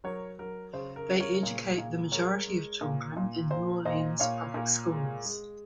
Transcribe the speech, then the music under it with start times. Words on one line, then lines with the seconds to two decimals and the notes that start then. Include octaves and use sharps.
They educate the majority of children in New Orleans Public Schools.
0.04 F#3 A#4 C#5
0.39 F#3 A#4
0.73 C#3 C5
0.96 A#4
1.09 C#3
1.20 A#4 C#5
1.43 A#2
1.78 A#2
2.12 G#3 A#4 C#5
2.47 G#3
2.81 A#2
3.16 A#2
3.50 A#2 C5
3.85 A#2 C5 D#5
4.20 A#2 C#5 F5
4.54 A#2
4.90 G#3
5.24 G#3